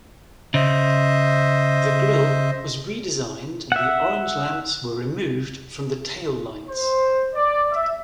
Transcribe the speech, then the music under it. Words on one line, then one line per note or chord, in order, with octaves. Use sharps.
The grill was redesigned, and the orange lamps were removed from the taillights.
C#3 C5 D#5 E5
E5 F#5
C5
D5
E5